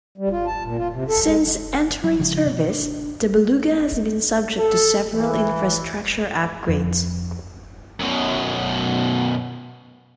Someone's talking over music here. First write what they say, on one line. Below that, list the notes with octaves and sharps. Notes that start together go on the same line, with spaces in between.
Since entering service, the Beluga has been subject to several infrastructure upgrades.
G3
F4
A5
A#2
F4
C3
A4
G#3
F#3
C#3 F3 G#3
B2
D4
A4
E3
F2
F#2 B2